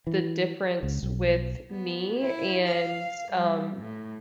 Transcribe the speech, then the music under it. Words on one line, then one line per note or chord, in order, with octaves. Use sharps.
the difference with me and, um,
E3
C#2
B1
B3
E4
F5
G3
A2